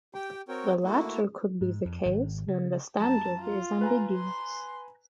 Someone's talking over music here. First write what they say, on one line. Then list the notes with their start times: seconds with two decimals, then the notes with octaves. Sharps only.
The latter could be the case when the standard is ambiguous.
0.14 G4 G5
0.48 C4 F#4 A#4 C#5 G5
0.84 A3 A#3 E4 F#4
1.61 G#2
1.85 F2
2.05 G#1
2.48 C#3
2.99 F#2 A5 A#5
3.41 F4
3.81 B4 G#5 A#5
4.14 C6